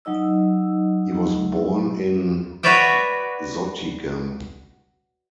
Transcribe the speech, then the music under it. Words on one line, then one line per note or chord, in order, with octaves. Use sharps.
He was born in Zottegem.
F#3 D#4 D#5 E6
F#4 B4 C#5 D5 E5 G5